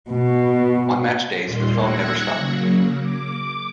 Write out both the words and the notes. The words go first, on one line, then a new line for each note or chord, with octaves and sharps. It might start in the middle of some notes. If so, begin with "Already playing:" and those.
On match days the phone never stopped ringing.
B2
D#2 A#2 D#3 G3 A#3 C6
E6 F#6 G#6 A#6 C#7
C#3 F#3 A#3
D6